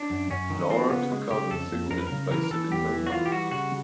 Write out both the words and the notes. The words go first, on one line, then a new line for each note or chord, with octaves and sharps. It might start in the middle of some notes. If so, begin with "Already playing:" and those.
Laura took out a cigarette and placed it in her mouth.
Already playing: D4
F#2
F#2 C#4
D#3
F3 C4
C#3 B3
G#3
C#3 G4
F2 A4
F2
F2 A#4
B4
C#3 A#4
E3 A#4
A#4
E3 A4
E2 G4
E3
F#4
E3 F4
G4
G3 F#4
C#3 F#4